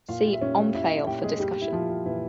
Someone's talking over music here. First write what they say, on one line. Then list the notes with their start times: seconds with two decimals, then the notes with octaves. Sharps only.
See Omphale for discussion.
0.09 A#2 F4 F5
0.25 G3
0.33 E5
0.41 A#2 C#4 C#5
0.58 G3
0.74 A#2 E4 E5
0.91 G3
1.07 A#2 G4 G5
1.24 G3 G#3 G#4
1.40 A#2 G3 G4
1.56 G3
1.61 E4
1.72 A#2 F3 F4
1.89 G3
2.05 A#2 E3 E4